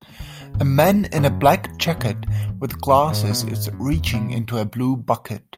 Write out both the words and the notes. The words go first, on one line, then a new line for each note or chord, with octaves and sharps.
A man in a black jacket with glasses is reaching into a blue bucket.
D3
C#3
G#2
F#2
E2
E2
G#2
F#2
G#2
E2
F#2
B2
A2
G#2
F#2
E2
F#2
F#2
G#2
B2
A2
G#2
F#2
E2
A2
B2